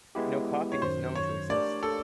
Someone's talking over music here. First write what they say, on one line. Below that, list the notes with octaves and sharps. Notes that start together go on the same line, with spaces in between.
No copy is known to exist.
G#3 B3 E4 G4
C#5
F#2 D#3 F#3 C5
C#5
A3 D4 G4 A#4 D5
A4